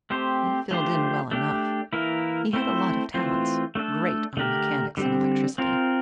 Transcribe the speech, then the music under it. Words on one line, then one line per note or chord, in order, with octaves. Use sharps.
He filled in well enough--he had a lot of talents--great on mechanics and electricity.
A3 C4 G4 C5
F3 A3 D4 G4 C5
A3 D4 G4
E3 A#3 E4 A#4
A3 C4 E4 A4 C5
E3 A3 C4 F4 C5
A3 D4 A4
D3 A3 D4 G4 A#4
D3 G3 C4
C4 F4 A#4